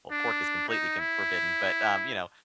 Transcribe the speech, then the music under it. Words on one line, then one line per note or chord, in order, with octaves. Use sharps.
well, pork is completely c forbidden, but, um, you know,
D4
D#4
E4